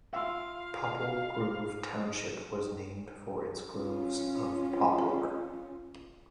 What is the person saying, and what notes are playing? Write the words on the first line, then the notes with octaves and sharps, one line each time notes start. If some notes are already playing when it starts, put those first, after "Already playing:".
Popple Grove Township was named for its groves of poplar.
F4 E5 F5
C#4 F4